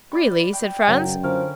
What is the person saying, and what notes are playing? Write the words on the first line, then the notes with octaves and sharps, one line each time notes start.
"Really?" said Franz.
D5 B5 C#6
G5
F#2 C#3 F#3
D3 F3 C#4 A#4 F5